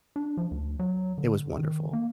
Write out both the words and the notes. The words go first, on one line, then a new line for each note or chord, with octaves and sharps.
it was wonderful.
D4
F3
D2
F#3
D3
D#3
A#3